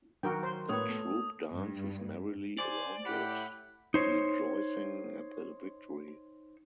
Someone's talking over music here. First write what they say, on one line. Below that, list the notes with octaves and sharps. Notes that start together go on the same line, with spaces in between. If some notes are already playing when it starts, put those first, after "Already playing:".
The troop dances merrily around it, rejoicing at the victory.
D#3 F#3 F#4 A#4 G5
C5 C6
A2 A#3 B4 C#5 D#6
A3
G2
C5 D5 G#5
A2 E4 G4 F#5 B5
D#4 C5 C#5